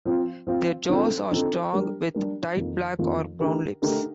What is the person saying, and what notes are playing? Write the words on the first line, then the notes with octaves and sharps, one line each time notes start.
Their jaws are strong with tight black or brown lips.
F3 C4 F4
F3 C4 F4
D3 F3 C4 D#4 A4
D3 F3 C4 D#4 A4
G3 D4 G4 A#4
G3 D4 G4 A#4
F2 D#3 A#3 F4
F2 D#3 A#3 F4
D3 A3 D#4 G4 A#4
D3 A3 D#4 G4 A#4